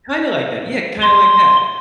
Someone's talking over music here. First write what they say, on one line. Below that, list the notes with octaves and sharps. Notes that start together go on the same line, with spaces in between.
kinda like that yeah, kind of like that,
C6